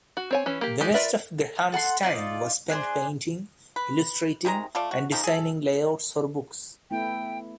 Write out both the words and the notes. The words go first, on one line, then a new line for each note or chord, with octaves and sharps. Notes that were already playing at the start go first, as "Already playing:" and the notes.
The rest of Graham's time was spent painting, illustrating and designing layouts for books.
F#4
C4 C#5 G#5
E3 C#4
A#3 G4
G#3 D#4 G4
F4 A#4 B4 D5 E5
A4 F#5 A#5 C6
D#4 F4 D5
D4 G#4 B4 C5
B4
C3 D#3 G#3 A#5
A3 F4 A4 D5
F#4
D#3 F3 D#4 G4
G#4 A4
A3 B3 E4 G5